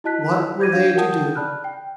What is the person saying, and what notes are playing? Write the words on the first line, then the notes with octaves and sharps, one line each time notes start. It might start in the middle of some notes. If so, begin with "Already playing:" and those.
What were they to do?
E4 F#4 D#5 A5 F#6 B6
C5 G6 G#6 A#6 D#7
D4 F5 G6 G#6
A#4 F#5 G5 A5 D#6 G6
D5 A5 B5 F6 F#6
G5